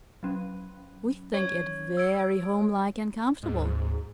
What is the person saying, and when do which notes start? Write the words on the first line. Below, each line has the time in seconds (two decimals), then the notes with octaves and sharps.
"We think it very homelike and comfortable."
0.23 F#3 C#4
1.34 C#5
1.97 E6 G#6 D7
3.43 D2 G#2